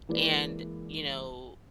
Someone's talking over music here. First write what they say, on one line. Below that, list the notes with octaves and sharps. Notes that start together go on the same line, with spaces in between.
and, you know
E3 G#3 A#3 E4 B4 D5